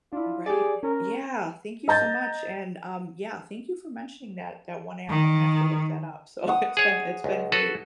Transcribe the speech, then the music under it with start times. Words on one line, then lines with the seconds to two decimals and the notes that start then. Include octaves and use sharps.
Right, e yeah, thank you so much, and, um, yeah, thank you for mentioning that that one app, Imma have to look that up. So, it's been it's been great.
0.13 D4 E4 F4
0.46 G4 G#4 D5
0.83 C#4 A#4
1.88 D#5 A#5 G6 A6
5.09 D#3
6.48 F#5 D#6
6.77 G#4 C#5
7.24 C#2
7.52 F#4 A4 B4